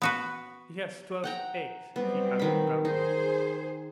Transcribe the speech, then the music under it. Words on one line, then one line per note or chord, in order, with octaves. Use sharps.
"She has twelve eggs," he added proudly.
B3 F#4 B4
F#5 G5 A#5
F#3 G3 B3 C4
D#3 B5
D#4 G#4 C5